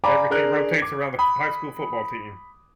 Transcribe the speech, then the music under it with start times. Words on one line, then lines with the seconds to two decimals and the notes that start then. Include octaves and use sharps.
everything rotates around the f high school football team.
0.04 D5 F5 G#5 A#5 B5 D6
0.30 D4 G#4 A#4 F#6
0.78 D6 G#6
1.19 B5 D#6